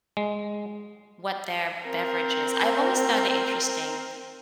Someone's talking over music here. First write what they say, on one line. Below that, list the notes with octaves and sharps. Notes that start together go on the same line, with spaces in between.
what their beverage is. I've always found it interesting,
G#3
C4 A#4